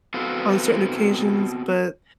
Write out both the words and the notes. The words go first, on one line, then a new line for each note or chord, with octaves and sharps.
on certain occasions, but
B3 C4 F#4 A4 B4 F5